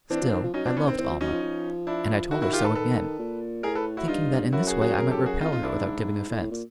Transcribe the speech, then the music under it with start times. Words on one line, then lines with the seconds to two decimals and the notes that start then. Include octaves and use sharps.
Still, I loved Almah, and I told her so again, thinking that in this way I might repel her without giving offence.
0.10 E3 C4 D4
0.22 F3
0.32 D#3
0.44 F3
0.54 F#3 C#4 D#4
0.66 F3 C4 D4
0.77 E3 B3 C#4
0.88 D#3 C4
0.98 E3 C4
1.10 F3
1.21 F#3 C#4 D#4
1.32 F3
1.43 F3
1.87 D4 E4
2.31 D#3 E4 F#4
2.42 E4 F#4
2.53 F4 G4
2.64 A4 B4
2.75 A4 B4
3.19 A#2
3.63 A2 G#4 A#4
3.75 A4 B4
3.97 E4 F#4
4.08 G2 D#4 F4
4.52 F#2 E4 F#4
4.67 F#4 G#4
4.81 F#4 G#4
4.97 G#4 A#4
5.11 G4 A4
5.26 F#4 G#4
5.40 F2 D#4 F4
5.51 F2 F4
5.63 D4 E4
5.74 G#2
6.30 A2
6.41 A2
6.51 A#2